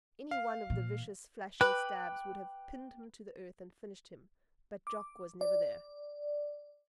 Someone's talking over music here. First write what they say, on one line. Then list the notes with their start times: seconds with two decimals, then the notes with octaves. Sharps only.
Any one of the vicious flashing stabs would have pinned him to the earth and finished him; but Jock was never there.
0.31 F5
0.70 A#2 E3
1.61 B4 G5 D6 F#6
4.87 D6
5.41 D5